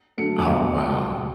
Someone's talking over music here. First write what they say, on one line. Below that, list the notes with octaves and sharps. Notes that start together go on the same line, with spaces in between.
Oh, wow.
D3 F#3 A3 C#7
B2 G3